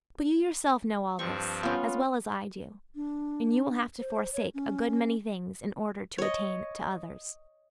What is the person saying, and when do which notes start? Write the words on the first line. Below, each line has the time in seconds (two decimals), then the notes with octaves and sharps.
But you yourself know all this as well as I do, and you will have to forsake a good many things in order to attain to others.
1.19 G2 F3 C4 C#6
1.63 B3 C#4 F4
2.95 D4
3.99 C5
4.33 C#5
4.54 C#4
6.18 C#5 D#5